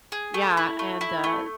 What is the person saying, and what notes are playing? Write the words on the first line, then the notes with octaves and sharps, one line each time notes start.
yeah, and, uh
G#4
A3
E4
A3
E4
A3